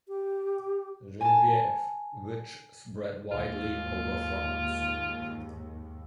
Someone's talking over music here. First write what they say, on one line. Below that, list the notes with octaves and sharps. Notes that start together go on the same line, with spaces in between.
Genevieve, which spread widely over France.
G4
G#5 A5
D#2 G#2 F4